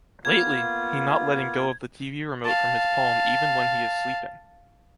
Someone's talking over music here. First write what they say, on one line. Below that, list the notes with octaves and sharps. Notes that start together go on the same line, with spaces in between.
Lately, he not letting go of the tv remote from his palm even when he is sleeping.
A#3 B3 F4 G#6
F5 A5